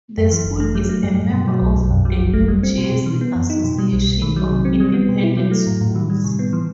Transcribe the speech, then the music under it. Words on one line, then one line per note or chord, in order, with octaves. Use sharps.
The school is a member of the New Jersey Association of Independent Schools.
F#2
E3
G1
A3
F#3
A3
G2
G2
B2
F#3
B1
B1
F#2
F#3
G1
A3
G3
C4
B2
B2
E3
B3
F#2
D#4
B2
G3
B1
B1
D#3
F#3
C3
C4
G3
B3
B2
E4
F#3
A3
A2
A2
D#3
G3
C3
B3
E3